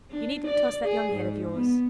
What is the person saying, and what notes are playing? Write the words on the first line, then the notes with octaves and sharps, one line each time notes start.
You needn't toss that young head of yours.
D4
D5
G#4
G#2
B3